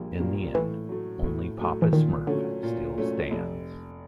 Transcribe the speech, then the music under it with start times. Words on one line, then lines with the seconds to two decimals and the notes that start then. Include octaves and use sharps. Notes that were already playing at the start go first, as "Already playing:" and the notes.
In the end, only Papa Smurf still stands.
Already playing: A#1 A#2 G3 A#3
0.20 A#2 G3 A#3
0.54 A2 E3
0.89 F#3 A3
1.24 A2
1.58 F#3 A3
1.82 E3
1.93 A#2 D#3
2.27 D3 F#3 A3 C#4
2.63 A#2
2.98 F#3 A3 C#4
3.31 F1